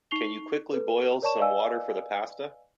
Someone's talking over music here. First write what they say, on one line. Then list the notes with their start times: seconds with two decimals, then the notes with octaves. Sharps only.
Can you quickly boil some water for the pasta?
0.11 D#4 C#6 C7 F7 G7
0.71 A4 B4
1.22 A#4 C#5 D5 A5 C#6 E7
1.39 B4 D5 D#5 F5 G#5 E6